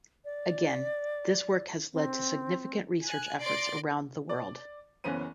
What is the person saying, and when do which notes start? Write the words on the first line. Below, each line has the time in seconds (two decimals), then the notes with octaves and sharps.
Again, this work has led to significant research efforts around the world.
0.25 D5
1.93 C4
3.03 G#5 F#6
3.41 D5 C6 A6 A#6 C7 D7
4.29 D5
5.04 F#1 E3 B3 C#4 C5 D#7